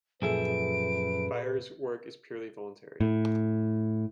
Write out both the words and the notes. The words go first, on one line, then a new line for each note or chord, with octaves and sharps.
Firer's work is purely voluntary.
F#2 A#2 F3 G#4 A4 B4 E5 D7
A2